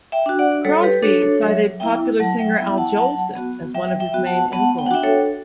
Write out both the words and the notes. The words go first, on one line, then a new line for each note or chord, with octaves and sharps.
Crosby cited popular singer Al Jolson as one of his main influences.
E5 G5
D4 F#4
D5 F#5
G3 A4 C#5
G4 B4
D4 F#4 A4 C#5
A4 C#5
F#3 C#5 E5
B3 E4 E5 G5
F#3 F#5 A5
E5 G5
B3 E4 E5 G5
F#5 A5
F#3 F#5 A5
B3 F#4
F#3 E5 G5
E5 G5
B3 F#4
F#5 A5
B3 F#5 A5
G5
F#5
D4 F#4 E5 G5
A4 C#5